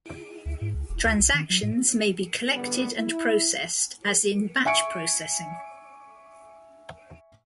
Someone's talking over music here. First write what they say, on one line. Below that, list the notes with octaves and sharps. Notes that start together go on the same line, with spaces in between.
Transactions may be collected and processed as in batch processing.
D2
G#2
C#2
E1
D2
B1
D#3
F#3
A2
G1 E2 D3 G3 B3
E4
E5 G#5 C#6 C#7 D7